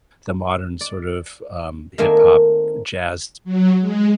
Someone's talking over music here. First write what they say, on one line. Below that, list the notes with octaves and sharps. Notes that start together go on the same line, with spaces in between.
the modern sort of, um, hip hop jazz
D5
D#3 A3 A#3 C4 G#5
F#3
G#3